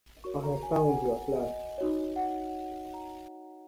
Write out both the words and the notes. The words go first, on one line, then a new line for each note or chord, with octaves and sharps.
I have found you at last!
F#4 A#4 C#5 C#6
A#5
G#5
G#5
F#5
D#5
D#4 F#4 C#5
F#5
A#5